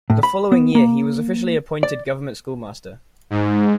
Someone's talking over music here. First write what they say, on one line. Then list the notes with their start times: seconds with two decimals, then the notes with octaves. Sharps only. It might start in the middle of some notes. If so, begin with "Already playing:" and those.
The following year he was officially appointed government schoolmaster.
0.10 A2
0.23 B5
0.52 B3
0.75 A#3
1.83 D5
3.30 G#2